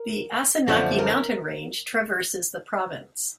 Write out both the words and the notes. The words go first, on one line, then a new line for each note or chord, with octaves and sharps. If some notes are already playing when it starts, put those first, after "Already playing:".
The Asanaki mountain range traverses the province.
Already playing: A#4
F#2 D3 F3 A3 A4
A#4